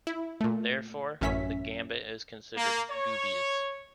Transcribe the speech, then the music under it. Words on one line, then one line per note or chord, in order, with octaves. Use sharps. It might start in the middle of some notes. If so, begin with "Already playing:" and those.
Therefore, the gambit is considered dubious.
E4
A#2 A3
A1 F#2 C#4 E5 B6
A#3
C#5